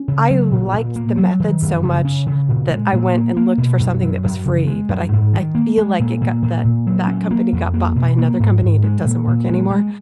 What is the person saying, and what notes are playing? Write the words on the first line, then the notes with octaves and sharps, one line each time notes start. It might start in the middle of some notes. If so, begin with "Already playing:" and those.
I liked the method so much that I went and looked for something that was free, but I I feel like it got that that company got bought by another company, and it doesn't work anymore
Already playing: C#4
C#3
F#3
A#2
A#2
A#3
F#3
D#3
F#2
C#3
C#4
C#3
A#2
G#3
A#2
A#3
A#3
B2
F#2
F#3
F#2
C#3
G#3
F#2
G#2
D#3
A#3
G#3
A#2
A#2
A#2
A#2
F#3
C#4
A#3
F2
A#3
B2
A#3
G#2
G#2
G#3
A#2
A#2
G#3
G#3